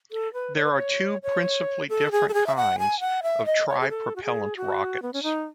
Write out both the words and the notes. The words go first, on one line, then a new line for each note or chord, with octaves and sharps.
There are two principally different kinds of tripropellant rockets.
A4
B4
C#5
B4
C#5
C#5
A4
G#4
A4
G#4
E5
F#5
G#5
F#5
E5
D#5
C#5
G#4
A4
F#4
G#4
F#4
B3
C#4
D#4